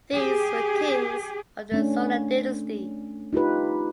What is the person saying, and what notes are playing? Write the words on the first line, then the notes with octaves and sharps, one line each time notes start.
These were Kings of the Solar dynasty.
G4 G#4
A3 C#4 D4
D#4 F4 G4 B4